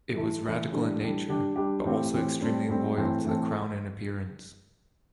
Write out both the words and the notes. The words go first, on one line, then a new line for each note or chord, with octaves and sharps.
It was radical in nature, but also extremely loyal to the crown in appearance.
E3 A3 E4 A4
E3 A3 E4 A4
E3 G3 D4 A4
E3 G3 D4 A4
G3 D4 G4
G3 D4 G4
A2 E3 C4 G4
A2 E3 C4 G4
A2 G3 C4 A4
A2 G3 C4 A4
A2 E3 C4 A4
A2 E3 C4 A4